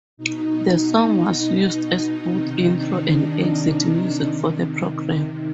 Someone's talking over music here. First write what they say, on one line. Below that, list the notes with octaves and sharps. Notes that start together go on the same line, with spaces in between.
The song was used as both intro and exit music for the program.
B2 D#4
C3 D#3 D#4
D4
D#4
C3 D#3